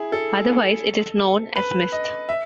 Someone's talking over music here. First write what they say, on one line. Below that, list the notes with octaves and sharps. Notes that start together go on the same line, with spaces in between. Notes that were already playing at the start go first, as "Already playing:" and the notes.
Otherwise it is known as mist.
Already playing: E4 G#4
A4
B4
D#5
E5